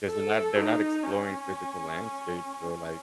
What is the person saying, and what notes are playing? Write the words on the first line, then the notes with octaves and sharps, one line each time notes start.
'cause they're not they're not exploring physical landscapes or, like,
A4
D#4
C#4